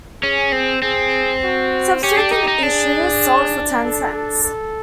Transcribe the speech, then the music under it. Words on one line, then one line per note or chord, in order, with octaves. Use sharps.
Subsequent issues sold for ten cents.
C#4 G#4
C4
C4 G#4
F#4
C#4 G4
D4
D#4
D#4
D4 G#4
A4
A4
A4